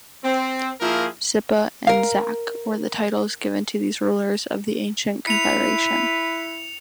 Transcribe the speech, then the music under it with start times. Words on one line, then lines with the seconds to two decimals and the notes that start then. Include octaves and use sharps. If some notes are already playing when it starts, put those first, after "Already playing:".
"Zipa" and "zaque" were the titles given to these rulers of the ancient confederation.
0.24 C4
0.80 F3 A#3 E4 F4 G#4 A#4
1.87 A#4 F5
5.27 E4 B4 C#7 F7